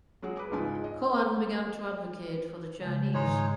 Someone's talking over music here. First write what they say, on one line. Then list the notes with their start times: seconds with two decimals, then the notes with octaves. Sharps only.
Cohen began to advocate for the Chinese.
0.22 F#3 G#3 F#4 G#4
0.37 B4 D6
0.51 C#2 G#2 G#3 F4 G#5
0.84 D#5
2.81 C#3 G#3
3.14 G#2 D#3 G#3 D#4 C#5